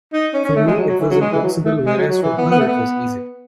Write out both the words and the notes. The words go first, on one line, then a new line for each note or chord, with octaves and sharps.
For me it was impossible, whereas for her it was easy.
D#4
C#4
C#4
A3
G#3
F#3
F#3
E3
F#3
G#3
E3
F#3
A3
G#3
F#3
F#3
E3
B3
B3
A3
B3